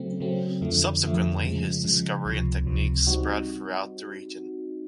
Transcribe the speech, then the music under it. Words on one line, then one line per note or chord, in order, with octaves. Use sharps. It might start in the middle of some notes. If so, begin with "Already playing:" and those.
Subsequently, his discovery and techniques spread throughout the region.
Already playing: C#3 F#3 A3 C4
C#3 F#3 A3 C4
F2 D3 F3 A3
F2 D3 F3 A3
C#3 F3 G#3
C#3 F3 G#3
C#2 C3 F3
C#2 C3 F3
G3 C4 D#4 F#4